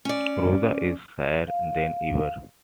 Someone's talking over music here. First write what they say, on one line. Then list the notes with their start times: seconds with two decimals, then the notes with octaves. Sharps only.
Rosa is shyer than ever.
0.05 C#4 D5
1.48 F5